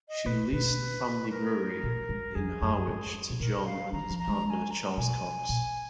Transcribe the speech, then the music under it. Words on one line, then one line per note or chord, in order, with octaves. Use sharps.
She leased the family brewery in Harwich to John and his partner Charles Cox.
D#5
A#2 B4
B2 B4
A#4
A#2
G#2
F2 G#4
F#2
G#2
B2
A#2 A#4
F5
D#3 A#5
F3
A#5
G#3
A#5
G#5
A#5
B2 G#5
A#2